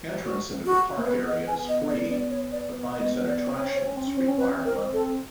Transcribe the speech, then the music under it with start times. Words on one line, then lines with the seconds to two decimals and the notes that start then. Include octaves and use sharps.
Entrance into the park area is free, but rides and attractions require money.
0.24 F#4
0.66 F#4
0.97 A#3
1.07 B3 B4
1.28 D#5
1.48 G#5
1.69 D#5
1.89 D5
2.10 D5
2.30 C#5
2.52 D5
3.00 D#5
3.28 D5
3.54 C4 C#5
3.65 C#4
3.76 C4
3.86 C#4
3.96 C4
4.07 C#4
4.17 C4
4.28 C#4
4.38 C4 B4
4.48 C#4
4.59 C4
4.65 A#4
4.93 A4